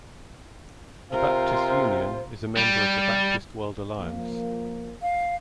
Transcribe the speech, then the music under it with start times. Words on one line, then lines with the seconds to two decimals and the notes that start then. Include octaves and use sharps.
The Baptist Union is a member of the Baptist World Alliance.
1.12 C3 F4 A#4 C5
2.57 G3
3.99 F3 A#3
5.02 F5